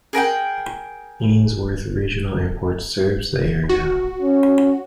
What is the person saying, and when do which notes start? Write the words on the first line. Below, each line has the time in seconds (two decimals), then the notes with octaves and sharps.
Ainsworth Regional Airport serves the area.
0.13 G#4 A#4 F#5 G5
3.69 F#4
4.22 C#4